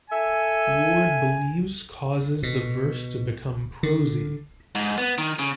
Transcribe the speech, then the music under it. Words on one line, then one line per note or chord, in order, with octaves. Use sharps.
Ward believes causes the verse to become "prosy".
A4 E5 G#5
B2
D3
G#2
B3
D#3
C#3